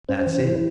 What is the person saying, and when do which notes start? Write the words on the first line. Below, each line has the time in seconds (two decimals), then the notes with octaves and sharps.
Dat's it.
0.09 C#4 C5
0.27 E3
0.45 E4